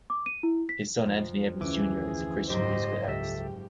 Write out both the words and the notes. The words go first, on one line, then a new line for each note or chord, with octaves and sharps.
His son Anthony Evans Junior is a Christian musical artist.
D6
D#7
E4
B6
F2
D2 E3 C#4 G#4 D6
F#1 G#2 G4 C5 D#5
C#2 G4 A4 E5